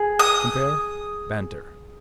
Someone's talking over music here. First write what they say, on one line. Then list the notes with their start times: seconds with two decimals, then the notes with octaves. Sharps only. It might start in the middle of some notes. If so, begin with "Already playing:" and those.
Compare BANTER.
Already playing: G#4
0.19 D#6